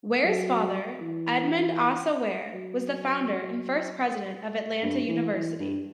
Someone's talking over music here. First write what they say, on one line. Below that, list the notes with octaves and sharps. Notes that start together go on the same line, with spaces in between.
Ware's father, Edmund Asa Ware, was the founder and first president of Atlanta University.
F#3
E3
F#3
G2
E3
E3
G2